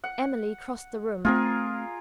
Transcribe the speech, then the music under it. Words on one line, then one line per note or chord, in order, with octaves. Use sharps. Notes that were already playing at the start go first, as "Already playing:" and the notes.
Emily crossed the room.
F#5
A3 B3 C4 F4 G#4 A#4